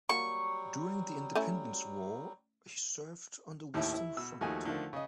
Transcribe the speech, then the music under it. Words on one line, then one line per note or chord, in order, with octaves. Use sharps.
During the Independence War, he served on the western front.
F#3 G3 A#3 F#4 C#6
A3 C#4 E4
D#2 A2 E4 E5
E4
B2 E6
D#2 F3 A3 D#4 F#4 G#5
D3 D#3 F3 A3
C#3 D#5